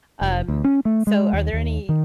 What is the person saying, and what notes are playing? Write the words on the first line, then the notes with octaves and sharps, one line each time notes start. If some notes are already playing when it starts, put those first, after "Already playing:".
Um, so, are there any
F1
D2
C#4
A3
G#3
D#2
D#2
D#3